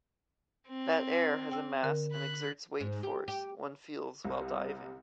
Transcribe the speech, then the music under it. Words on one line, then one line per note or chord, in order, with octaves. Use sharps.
That air has a mass and exerts weight force, one feels while diving.
C4
G5 E6
D3 A#4
B5 F#6
G#2
G4
G4
C2